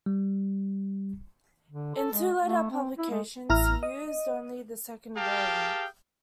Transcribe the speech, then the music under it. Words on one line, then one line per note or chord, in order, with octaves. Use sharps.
In two later publications he used only the second variant.
G3
D3
A4
G#3
A3
C4
E4
G#3
A1 E4 A#5 F6
D#5
G4 G#4 A#4 F5 G5 A5